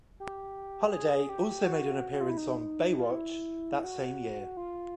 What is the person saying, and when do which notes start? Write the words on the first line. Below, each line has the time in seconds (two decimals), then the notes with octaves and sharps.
Holliday also made an appearance on "Baywatch" that same year.
0.20 G4
0.92 G#4
1.29 G4
1.65 F#4
2.11 F#4
2.20 F4
2.29 E4
2.38 D#4
2.99 F4
3.11 E4
3.84 F#4
4.57 F4